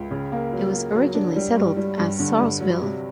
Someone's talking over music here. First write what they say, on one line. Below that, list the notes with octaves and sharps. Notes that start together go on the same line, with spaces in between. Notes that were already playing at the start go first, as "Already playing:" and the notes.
It was originally settled as Sarlesville.
Already playing: C#2
C#3
A#3
F#3
A#3
F#3
D4
G3
G2
G3
G2
D3
G2
F#3
C3